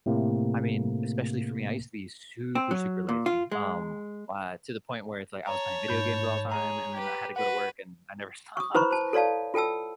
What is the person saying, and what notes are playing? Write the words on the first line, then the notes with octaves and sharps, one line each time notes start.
I mean, especially for me, I used to be super, super lazy, um, uh, to the point where it's like I was playing video games all the time, and then I had to go to work, and I never stopped.
A2 C3 A3 A#3
C4
F#3
A#2
F4
G#3
C#5 A5 A#5
G#2 B5 G6
G#4 C#5 A#5
G4 B4
F#4 B4 F#5
C#6 D#6
E4 B4 C5 A#5 B5 C#6
C5 A5
A4 C#5 D5 F5 A5
F4 A4 G5 A5 E6